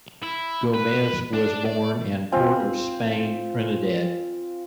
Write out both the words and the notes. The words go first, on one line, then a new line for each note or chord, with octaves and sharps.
Gomez was born in Port of Spain, Trinidad.
E4
B4
D4
D5
C4 F4 G#5